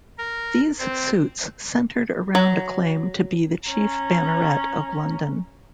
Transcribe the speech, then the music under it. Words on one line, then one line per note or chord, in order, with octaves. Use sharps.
These suits centred around a claim to be the chief banneret of London.
A#4
C4
F#3
C#4 A#5